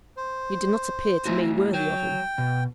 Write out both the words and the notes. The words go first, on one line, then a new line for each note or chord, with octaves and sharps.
You did not appear to me worthy of him.
C5
A3 E4 F#4
F#3 G5
B2